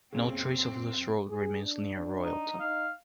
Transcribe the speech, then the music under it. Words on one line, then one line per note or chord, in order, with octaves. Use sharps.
No trace of this road remains near Royalton.
B1 F#2 A#2 C#3 C4
G#4
D4
D#4
D#4 F5